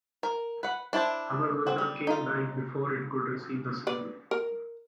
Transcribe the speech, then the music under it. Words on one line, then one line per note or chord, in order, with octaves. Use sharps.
However the King died before it could receive the Seal.
A#4
B4 F#5
D4 E4 C5 A5
C4 F#4
G3
D#4 F4
B4 D5
A#4